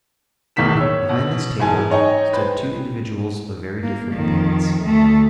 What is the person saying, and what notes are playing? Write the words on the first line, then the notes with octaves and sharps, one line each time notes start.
Behind this table stood two individuals of very different appearance.
B1 E2 A2 D#3 B6 E7
C#5 E6
B2
G#2 E3 G#4 G#5 A5
D#4 C#5 D#5 G5 G#5
B4 C5 G5
A#3
F2 D#3
D2 A3